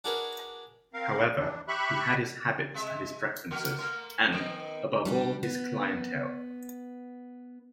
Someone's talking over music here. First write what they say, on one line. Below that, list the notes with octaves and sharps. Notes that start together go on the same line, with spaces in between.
However, he had his habits and his preferences, and, above all his 'clientele'.
D4 F#4 G#4 A#4 B4 C#5
C4 A#4 F5
E3 D4
G4 E5 B5 C#6 F#6
C3 G#3 E5
A3 A#3 F#4
A3 A#3
D#3 B3 A#4
G3 D4 G4
B3